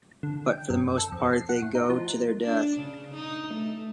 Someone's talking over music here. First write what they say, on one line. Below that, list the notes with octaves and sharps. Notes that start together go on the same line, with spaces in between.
But for the most part they go to their death.
D3
G5
F#2
A4
F2
C7
F#5
A2
D#4
F3
D4
C#3
D#4
A3